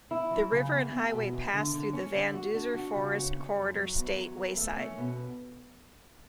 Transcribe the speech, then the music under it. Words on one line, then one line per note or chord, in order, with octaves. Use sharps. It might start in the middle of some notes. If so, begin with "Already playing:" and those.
The river and highway pass through the Van Duzer Forest Corridor State Wayside.
E4
F#3
C#3
E2
E2
B2
E2
D3
D3
C#4
D3
F#4
D4
F#4
C#3
C#4
C#4
F#2
F#3
E2
F#3
E2
A3
C#4
B2